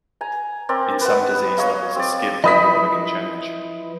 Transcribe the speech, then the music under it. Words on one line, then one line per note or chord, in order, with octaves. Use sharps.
In some disease levels are skipped or the order can change.
G#5 A#5
C4 A#4 D5
B4 F#5
B3
C#5 D#5 F5 A#5
C4 D5
F3 E4 B4 D#5 E5 B5 D#6 B6